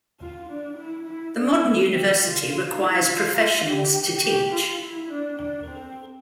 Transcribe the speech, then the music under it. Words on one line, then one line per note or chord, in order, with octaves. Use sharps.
The modern university requires professionals to teach.
F4
D4
E4
E4
D4
A3
G4
F4
F4
E4
F4
F4
G4
G4
F4
E4
D4
D4
C4